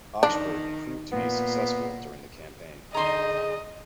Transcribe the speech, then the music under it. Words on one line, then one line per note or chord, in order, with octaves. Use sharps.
Ascheberg proved to be successful during the campaign.
D#3 D4
A#2 B3
D3 D#4 G#4 D#5 A#5 C6